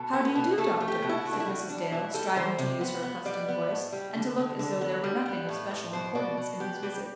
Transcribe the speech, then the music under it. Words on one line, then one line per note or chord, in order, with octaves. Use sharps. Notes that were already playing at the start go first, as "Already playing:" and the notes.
"How do you do, doctor?" said Mrs. Dale, striving to use her accustomed voice, and to look as though there were nothing of special importance in his visit.
Already playing: B2 A4
B3
B2
A3 A4
A3
G4
B2
E4
F#4
A3
D4
E4
G3 F#4
B3 D4
B2 E4
G3 A4
E3 C5
C3
B3
B3
G3 D5
B3
A2
G3
D3
D3
D3
B3
G3
B3
A2
A2
B2 C5
B2 D5
B2
B3 G4
G3 G4